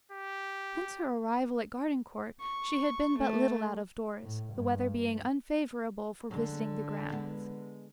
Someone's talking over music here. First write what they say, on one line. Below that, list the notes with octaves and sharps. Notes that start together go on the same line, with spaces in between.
Since her arrival at Gardencourt she had been but little out of doors, the weather being unfavourable for visiting the grounds.
G4
C#6
A3
A2
G2
D3 F#3 G#3
G#3 B3